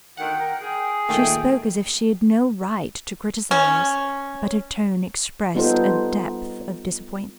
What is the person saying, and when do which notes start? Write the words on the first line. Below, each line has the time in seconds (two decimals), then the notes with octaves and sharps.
She spoke as if she had no right to criticise; but her tone expressed a depth of disappointment.
0.17 D2 D#3 F#5 G5
0.38 A#4
0.61 G#4
1.09 A#2 D#3 A3 G5
3.51 C#4
5.55 G3 B3 D#4 F4 A4 C5